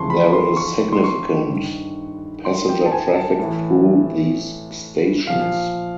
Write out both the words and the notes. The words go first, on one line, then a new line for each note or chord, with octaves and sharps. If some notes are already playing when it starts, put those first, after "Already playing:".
There is significant passenger traffic through these stations.
Already playing: F2 C#3 E3 A5 C6 C#6
B5
C6
C#6
C6
C#6
G2 D#3
C6
G5
A5
G#5
A5
A2 E3
A#2 F3 F5